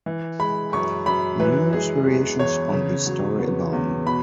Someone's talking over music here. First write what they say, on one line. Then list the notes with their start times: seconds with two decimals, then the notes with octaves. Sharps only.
Numerous variations on this story abound.
0.06 E3
0.39 G#3 B5
0.73 F#2 C#6
1.06 F#2 B5
1.40 E3 B4
1.73 G#3 G#4
2.06 E2
2.39 E2 C#5
2.73 C#3
3.06 F#3
3.40 B3
3.73 E2
4.06 B2 B5